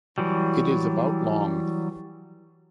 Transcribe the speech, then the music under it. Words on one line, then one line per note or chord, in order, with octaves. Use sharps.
It is about long.
E3 F#3 G3